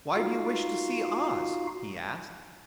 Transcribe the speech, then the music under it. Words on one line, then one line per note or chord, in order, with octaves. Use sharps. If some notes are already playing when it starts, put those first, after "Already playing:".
"Why do you wish to see Oz?" he asked.
D#4 F4 F#4 F5